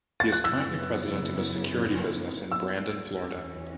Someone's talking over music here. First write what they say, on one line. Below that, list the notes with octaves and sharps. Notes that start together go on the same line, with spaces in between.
He is currently President of a security business in Brandon, Florida.
A6
F#6
F#2 C#3 F#3 B3 E4 E6
E6
E2 E3 C#4